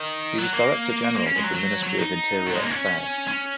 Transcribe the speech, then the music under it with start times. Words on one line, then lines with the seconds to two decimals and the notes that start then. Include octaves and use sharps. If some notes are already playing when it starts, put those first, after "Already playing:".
He was Director General of the Ministry of Interior Affairs.
Already playing: D#3
0.38 F#3
0.53 A#3
1.16 A#3
1.26 C#4
1.35 G#3
1.44 F#3
1.55 F#3
1.83 F#3
1.98 D#4
2.46 F#3
2.54 G#3
2.62 A#3
2.70 C#4
3.28 C#4